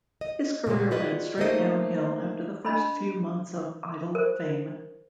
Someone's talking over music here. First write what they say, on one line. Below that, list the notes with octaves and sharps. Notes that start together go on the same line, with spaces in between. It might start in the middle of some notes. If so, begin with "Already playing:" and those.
His career went straight downhill after the first few months of Idol-fame.
D#5
A#2 C#3 F#3 G#3 F#4
F4 F#4 G#4 B4 D5 D#5
A3 A#3 C#4 D#4 C5 D#5
D4 D#5 B5 C6
A#4 C5